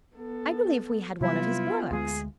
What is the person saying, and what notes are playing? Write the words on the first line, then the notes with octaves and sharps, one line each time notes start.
I believe we had one of his books.
B3 A4
C3 F#3 G3 B3 E4 F4
D2 G3 G#3 G#4